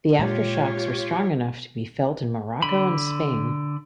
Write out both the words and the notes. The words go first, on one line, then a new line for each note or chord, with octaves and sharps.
The aftershocks were strong enough to be felt in Morocco and Spain.
A#2 G#3 F4 G4 C#5
D3 B5